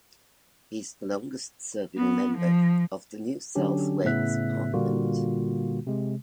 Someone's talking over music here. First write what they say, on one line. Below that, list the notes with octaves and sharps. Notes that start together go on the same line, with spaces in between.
He is the longest-serving member of the New South Wales parliament.
B3
F3
D3 F#3 C#4 D4 G4
A2 C#3 B3 E5 F#6 B6
A#2 D3 G3 A#3 F4 F#4
C3 G#3